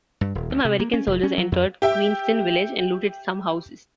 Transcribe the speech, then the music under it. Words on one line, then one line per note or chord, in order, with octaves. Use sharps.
Some American soldiers entered Queenston village and looted some houses.
G2
D#1
D2
C3
A#3
C#4
F1
C#4
F#3
F2
G4 E5 G5